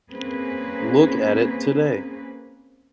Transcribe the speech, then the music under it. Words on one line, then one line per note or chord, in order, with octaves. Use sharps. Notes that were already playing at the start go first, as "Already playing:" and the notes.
Look at it today.
A#3 C4 C#4 G#4 B4